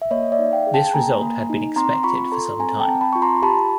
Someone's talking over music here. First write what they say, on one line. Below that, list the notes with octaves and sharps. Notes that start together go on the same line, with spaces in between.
This result had been expected for some time.
E5
A#3 C#5 D#5
D5 E5
D#4
F5 G5
G#4
G5 A5
A#3 G#5 A#5
A#3
D#4
C4 A#5 C6
F4 B5 C#6
A4 A#5 C6
C4 G#5 A#5
G5 A5
C4
A5 B5
F4 C#6
A#5 C6
G4 A5 B5